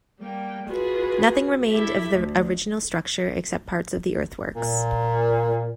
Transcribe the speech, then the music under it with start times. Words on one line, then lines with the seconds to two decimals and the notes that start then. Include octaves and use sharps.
Nothing remained of the original structure except parts of the earthworks.
0.20 G3 A#3 G5
0.67 F4 F#4 G#4 B4
1.69 E4 G4 A4 E5
2.14 D2 D3
4.56 A#2